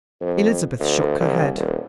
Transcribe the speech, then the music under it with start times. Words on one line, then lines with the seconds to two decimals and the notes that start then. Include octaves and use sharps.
Elizabeth shook her head.
0.21 F2
0.80 D2
1.21 C2
1.55 D#1